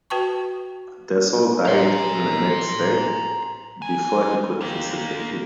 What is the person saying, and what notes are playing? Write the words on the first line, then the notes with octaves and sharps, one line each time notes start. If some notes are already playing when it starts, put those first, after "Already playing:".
Desault died the next day, before he could visit the King.
F#4 B4 G5 A5 C#6
A#5 C6
F3 G#5
D#3 A#3